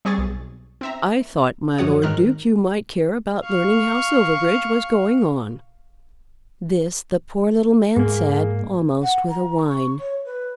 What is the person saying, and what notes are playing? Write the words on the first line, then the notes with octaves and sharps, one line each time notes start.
"I thought, my Lord Duke, you might care about learning how Silverbridge was going on." This the poor little man said almost with a whine.
G3 C4 G#4 C#6 A6
B1
C4 E5 A#5
F#2 F3 F#4 C#5 F#5 D#6
G#2 D#3 A#4 F6 F#6
F5 C#6
G#2 A#3 G#4
F#5
A#5
C#6
C#5
B4